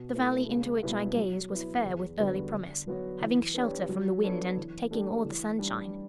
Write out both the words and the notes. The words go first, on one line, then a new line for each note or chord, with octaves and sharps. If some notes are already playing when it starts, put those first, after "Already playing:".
The valley into which I gazed was fair with early promise, having shelter from the wind and taking all the sunshine.
Already playing: B2
A3 E4 B4
C#2
B2 G3 B3 E4
F#3
B3 E4
E2
D3 G3 B3 F#4
D3
F#3 B3 F#4 C#5
E3
B3 D4 G4 C#5
F#3
B3 D4 A4 C#5
E3
A3 D4 G4
E3
G3 D4